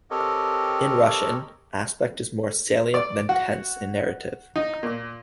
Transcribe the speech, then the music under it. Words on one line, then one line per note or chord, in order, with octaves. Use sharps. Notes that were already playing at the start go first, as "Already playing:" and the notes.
In Russian, aspect is more salient than tense in narrative.
C4 G4 A4 A#4 C#5 D#5
D5
F#4
D#4
A#2